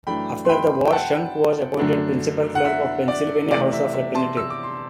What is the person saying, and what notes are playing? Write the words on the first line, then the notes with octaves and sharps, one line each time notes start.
After the war Shunk was appointed Principal Clerk of the Pennsylvania House of Representatives.
F#2 E3 A3 D4 G5 B5
C6
G5 B5
G5
F#5 A5
F#2 D3 A3 D4
F#5
E5
D5
C3 E3 A3 D5
E5
E5
A5 C6
E6
D6
C6